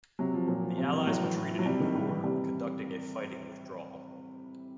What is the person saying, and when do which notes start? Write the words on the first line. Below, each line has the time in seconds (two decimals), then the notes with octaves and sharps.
The allies retreated in good order, conducting a fighting withdrawal.
0.19 C3 F#3
0.34 F3
0.48 A#2 F#3
0.63 F3
0.77 C3
0.93 E3
1.07 A2 F#3
1.22 E3
1.36 A2
1.51 F3
1.59 F#3
1.65 C3 G3
1.80 D#3
1.95 A2
2.09 E3
2.23 C3 G3